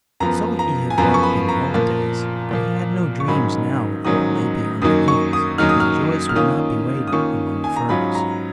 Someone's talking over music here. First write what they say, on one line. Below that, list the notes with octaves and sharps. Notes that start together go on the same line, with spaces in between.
So he had walked in the old days, but he had no dreams now of what lay beyond the hills, and Joyce would not be waiting among the firs.
F#2 F3 B3 A#5
A#5
G#5
F#2 F3 B3 A#5
C#6
B5
A#5
A#2 F3 A#3
A#2 F3 A#3
C#6
G#2 D#3 F#3 C#4 B5
G#2 D#3 F#3 C#4 D#6
F#2 D#3 F#3 A#3 D#4 D#6
C#6
D#6
F#2 D#3 F#3 A#3 D#4 F6
D#6
F6
F6
D#3 A#3 C#4 F4 D#6
D#6
D#3 A#3 C#4 F4 C#6
G#5
A#5
G#2 F#3 C#4 F4 B5
A#5